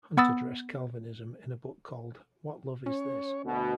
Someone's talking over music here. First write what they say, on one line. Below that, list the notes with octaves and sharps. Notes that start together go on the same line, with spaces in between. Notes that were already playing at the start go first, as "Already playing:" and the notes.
Hunt addressed Calvinism in a book called What Love is This?
B3 F#5 B5 D#6 E6 A6
C#4 C#5
D2 B2